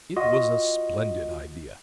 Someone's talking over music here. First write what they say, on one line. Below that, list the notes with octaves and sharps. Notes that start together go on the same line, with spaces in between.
It was a splendid idea!
F4 F#4 D#5